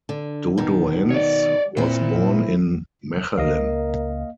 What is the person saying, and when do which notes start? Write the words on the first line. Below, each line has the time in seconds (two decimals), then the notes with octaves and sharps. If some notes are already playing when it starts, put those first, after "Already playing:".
Dodoens was born in Mechelen.
0.09 D3
0.58 B2 D#3
1.10 C#5 D5
1.77 A#2 C4 E4
3.38 C#2 A#3 A#4 D#5 F5